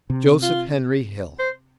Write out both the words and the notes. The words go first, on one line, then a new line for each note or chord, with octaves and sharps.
Joseph Henry Hill.
C3
F4
C5